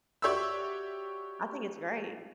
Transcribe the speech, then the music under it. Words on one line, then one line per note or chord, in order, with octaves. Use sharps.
I think it's great.
F#4 G4 C#5 D5 E5 E6